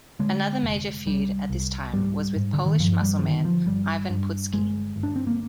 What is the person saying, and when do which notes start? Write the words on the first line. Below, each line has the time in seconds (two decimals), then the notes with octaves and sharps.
Another major feud at this time was with Polish muscleman Ivan Putski.
0.19 D3 G#3
0.63 F1
1.06 C2 G3
1.49 C2
1.93 G#2 G3
2.36 G#2
2.53 D3
2.66 D#3
2.79 G2 F3
3.02 G3
3.19 F3
3.22 D3 D#3
3.45 F3
3.66 G1 G3
4.10 G2
4.53 G1 G#3
4.96 G1
5.03 D4
5.16 C4
5.27 A#3